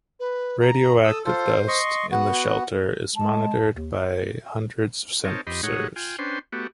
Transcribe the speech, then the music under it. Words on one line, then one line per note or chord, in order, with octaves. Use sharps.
Radioactive dust in the shelter is monitored by hundreds of sensors.
B4
A#5
A4 D#6 E6
F4 A4 C5
D#5 C6 C#6
B3 F#4 F#5
G#3 A5
D#2
C4 D#4 A#4 C#5 A5
F2 G4 D#5 B5 C6
A2 G#3 D#4 C#5 F#5
F4 G5 G#5
C#4 D4 B4 C5 G5 C6
A3 B3 F#4 G4